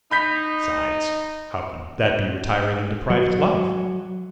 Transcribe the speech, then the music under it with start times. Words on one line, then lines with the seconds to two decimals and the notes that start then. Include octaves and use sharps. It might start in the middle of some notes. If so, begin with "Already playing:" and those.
Besides, how could that be retiring into private life?
0.11 D#4 B5 G6 B6
3.10 F#3